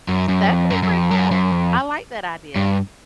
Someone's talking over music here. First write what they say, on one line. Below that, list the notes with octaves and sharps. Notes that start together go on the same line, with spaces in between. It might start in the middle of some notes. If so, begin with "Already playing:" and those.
That could be pretty cool. I like that idea.
F#2
F#2
F2
F#2
F#2
F2
F#2
F#2
F2
G2